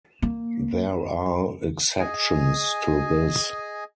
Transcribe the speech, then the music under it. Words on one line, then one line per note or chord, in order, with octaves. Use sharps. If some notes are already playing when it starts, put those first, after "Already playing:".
There are exceptions to this.
A#3
G#4 D#5 G#5